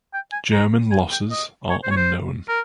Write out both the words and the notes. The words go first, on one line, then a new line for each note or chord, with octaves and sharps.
German losses are unknown.
G5
G#5
A#5
G#5
G5
D#5
C#5
C5
C#5
C5
A#4